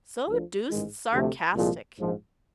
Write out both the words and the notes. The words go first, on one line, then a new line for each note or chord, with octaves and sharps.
'So deuced sarcastic!
D2 D3 F3
A1 G#2 D#3 G#3
D2 C3 F3 A3
C2 A#2 F3 G#3
A#1 G#2 F3